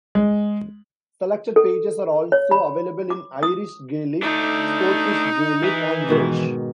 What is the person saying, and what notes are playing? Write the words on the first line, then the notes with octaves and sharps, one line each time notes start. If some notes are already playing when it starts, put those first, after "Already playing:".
Selected pages are also available in Irish Gaelic, Scottish Gaelic and Welsh.
G#3
A4
C#5
B5
D6
D#6
A3 D4 D#4
E3 B4 E5
G#2 B2 D#3